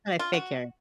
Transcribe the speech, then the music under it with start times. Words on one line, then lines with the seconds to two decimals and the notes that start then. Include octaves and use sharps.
I figure.
0.19 F4
0.33 F#4